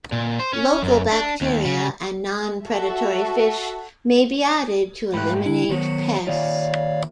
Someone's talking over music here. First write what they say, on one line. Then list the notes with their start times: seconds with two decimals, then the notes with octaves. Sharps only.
Local bacteria and non-predatory fish may be added to eliminate pests.
0.12 A#2
0.40 C5
0.53 C#4
0.82 F#2
1.12 D4
1.41 D#2
1.65 C#3
2.65 F#4 A4 E5
5.14 G#2 A3 G4 B5 F#6
5.46 D3 D4 E4
5.69 D#3 F#3 B3 C5 C#5
6.27 D#3 A#3 F4 C#5 D5 F5